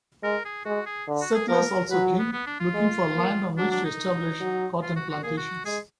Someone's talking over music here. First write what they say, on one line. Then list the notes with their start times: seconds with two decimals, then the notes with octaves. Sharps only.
Settlers also came, looking for land on which to establish cotton plantations.
0.23 G#3 A#4
0.45 G#4
0.65 G#3 F#4
0.86 G#4
1.08 D3
1.22 F#4
1.35 G#4
1.48 F3 A#4
1.90 F#3 B4
2.19 B3
2.32 B3
2.47 D4
2.60 F4
2.74 G#3
3.15 A#3
3.58 F#3 D4
3.71 D4
3.85 D#4
4.41 F#3
4.83 F4
4.96 F#4
5.10 F#4
5.23 A#3 G#4
5.37 F#4
5.65 G#3 G#4